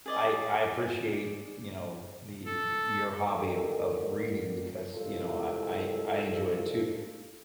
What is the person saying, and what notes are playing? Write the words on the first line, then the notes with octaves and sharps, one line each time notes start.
I I appreciate, you know, the your hobby of of reading because, you know, I I I enjoy it, too.
G#4 D5 D#5
A4
D3 D#3 A#3 G4
C2 G#3 F4 A4